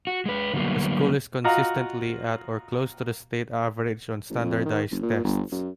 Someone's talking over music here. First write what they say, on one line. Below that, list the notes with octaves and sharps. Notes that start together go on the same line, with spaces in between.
The school is consistently at or close to the state average on standardized tests.
F#4
G#3 B4
D3 F#3 G3 A#3 B3
F4 F#4 D#5 F5 A#5 F6
A1
F2
D#3
F#1
A#2
G1
F#2